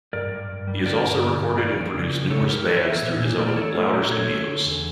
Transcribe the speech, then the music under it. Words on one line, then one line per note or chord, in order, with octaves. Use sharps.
He has also recorded and produced numerous bands through his own Louder Studios.
G2 A#4 D5
G2
G2
G3
D3 A#4 D5
G2
D3
G2
E3 A#4 D5
F2
C#3
F2
C#3 A4 C#5
F2 G4 A#4
E3 A4 C#5
E3 C#5 E5
A#2
A#2
A3 A#4 D5
D5
A3 A4 C#5
A3 F4 A4
A#2 G4 A#4
A3 A4 C#5
A3
D3
E2